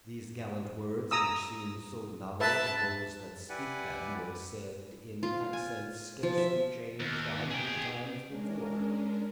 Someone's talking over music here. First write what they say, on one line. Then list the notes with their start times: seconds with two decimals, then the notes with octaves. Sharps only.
These gallant words which seem so novel to those that speak them were said in accents scarcely changed a hundred times before.
1.11 A#5 D#6 E6
2.40 B4 E5 A5
3.49 E4 G4 B4 D5 F#5 G#5
5.23 F4
5.53 G#5
6.23 F3
6.38 E5
7.00 D#2
7.51 G#4 G5
8.27 G#3 C#4 D4 A#4